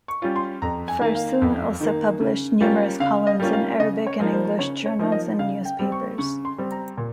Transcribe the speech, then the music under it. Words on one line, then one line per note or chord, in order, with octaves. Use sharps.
Farsoun also published numerous columns in Arabic and English journals and newspapers.
C#6
G3 C#4 F4
C6
F2 A#5
G#5
D#3 A#3
F5
F2
D#3 A#3
C#3
G3 A#3 C#4 F4
C#3 F5
D#5
G3 A#3 C#4 F4
F5
C#3 D#5
C#5
F3 A#3 D#4
C5
C#3 C#5
C#5
F3 A#3 D#4
D#5
C#3 F5
G5
G3 C4
C#6
C#3 C#6
C6
G3 C4
A#5
A#2